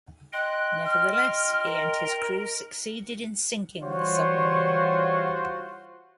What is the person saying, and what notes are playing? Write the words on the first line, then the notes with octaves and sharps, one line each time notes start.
Nevertheless he and his crew succeeded in sinking the submarine.
D#5 G5 C6 F#6
F6
A#4
E3 G3 F4 F#4 C5 C#5